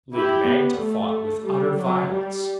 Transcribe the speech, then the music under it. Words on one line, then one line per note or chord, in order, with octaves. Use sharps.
Lig-magte fought with utter violence.
E4 G4
B3
A3
G3
F#3
G3